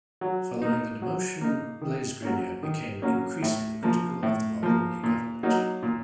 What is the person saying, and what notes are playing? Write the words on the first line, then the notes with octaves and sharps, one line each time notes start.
Following the demotion, Blais-Grenier became increasingly critical of the Mulroney government.
F#3
A#3 D#4
F#3
A#3 D#4
D#3
F#3 A#3 C#4
D#3
F#3 A#3 C#4
A2
F3 A#3
A2
F3 A#3
A#2
F#3 A#3 D#4
A#2